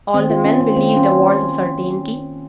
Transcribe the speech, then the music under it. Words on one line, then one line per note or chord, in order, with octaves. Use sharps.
All the men believe the war's a certainty.'
D#3 A#3 C4
F4
C#4
C4
D#3 A#3 C4
C#4